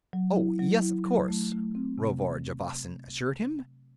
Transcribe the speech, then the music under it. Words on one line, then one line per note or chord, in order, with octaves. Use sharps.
"Oh, yes, of course," Rovard Javasan assured him.
F#3
E4
F#3
E4
F#3
A3
A3
C4
C3